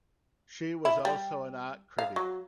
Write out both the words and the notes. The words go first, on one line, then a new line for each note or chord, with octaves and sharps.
She was also an art critic.
E4
G3
F5
F#3